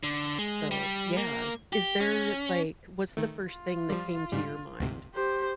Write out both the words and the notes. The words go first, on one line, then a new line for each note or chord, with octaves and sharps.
so, yeah. Is there, like what's the first thing that came to your mind?
D3
G#3
G3
A#3
G4
C#4
D#3 A3
F4
F3 G3
G#2 C#3 G3
D2 G#2 C3
G4 C5